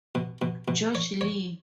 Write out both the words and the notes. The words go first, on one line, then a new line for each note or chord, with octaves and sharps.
George Lee.
B2
B2
B2
C#5
C#5